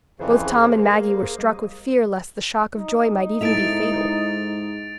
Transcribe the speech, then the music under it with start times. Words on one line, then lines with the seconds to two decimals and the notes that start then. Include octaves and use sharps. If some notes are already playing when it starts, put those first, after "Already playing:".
Both Tom and Maggie were struck with fear lest the shock of joy might even be fatal.
0.19 F2 C#3 E3 G#4 C5
0.59 A#3
1.38 G3 D#5
2.76 D#4
3.41 G#2 E4 A4 E5 A6 D7 F7